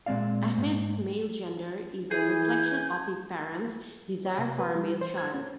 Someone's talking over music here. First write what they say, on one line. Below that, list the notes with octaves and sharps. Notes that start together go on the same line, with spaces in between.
Ahmed's male gender is a reflection of his parents' desire for a male child.
A#2 G#3 C4 D5 F5
G#2
E3 G#4 G#5 G6
C#5
C3
B4
G3
C5
G#6
C#4